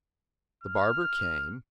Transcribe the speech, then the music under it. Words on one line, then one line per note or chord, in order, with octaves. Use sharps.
The barber came.
F6